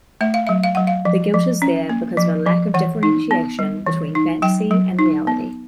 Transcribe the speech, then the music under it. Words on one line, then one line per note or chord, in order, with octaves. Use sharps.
The guilt is there because of a lack of differentiation between phantasy and reality.
A3 E5
F5
F#3 E5
F5
F#3 F#5
F5
F3
F3
C#4
A#3
F3
F3
E3 F#5
D#4
B3
G3
E3
D#4
F#3 G5
F#3
D#4
B3